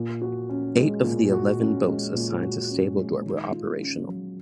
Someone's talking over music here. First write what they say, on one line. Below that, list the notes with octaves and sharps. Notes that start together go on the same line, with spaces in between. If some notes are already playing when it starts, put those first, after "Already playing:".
Eight of the eleven boats assigned to Stable Door were operational.
Already playing: A#2
F#4
C#4
G#3
A#2
F#4
C#4
G#3
A#2
F#4
C#4
G#3
D#3
F4
C#4
F#3